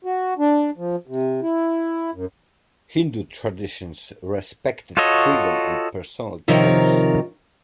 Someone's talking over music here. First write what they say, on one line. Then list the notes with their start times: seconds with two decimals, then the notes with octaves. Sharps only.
Hindu traditions respected freedom and personal choice.
0.05 F#4
0.38 D4
0.77 F3
1.07 C3
1.42 E4
2.14 F#2
4.97 F4 F#4 A4 C#5 D#5
6.48 C3 D#3 F3 F4 A#4 C#5